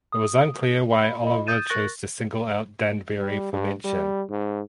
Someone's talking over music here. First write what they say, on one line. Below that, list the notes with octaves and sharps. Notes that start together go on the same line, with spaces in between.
It was unclear why Oliver chose to single out Danbury for mention.
D#6
B5
F4 D#5 B5
D#6 G6 A6 D#7 E7
A#4 C#6 F#6 A6 A#6 F#7
G3
G2
G3
G#2